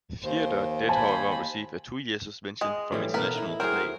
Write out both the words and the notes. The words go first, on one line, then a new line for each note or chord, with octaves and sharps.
Theodore did, however, receive a two-year suspension from international play.
D#2 C5
C5 G#5 A5 B5
G#3 D#5
A2 E3 F3 G3 E4
B2 A#4 B4
D#4 E4
F#3 A3 C4 E4 F#4 G#4 A#4 C5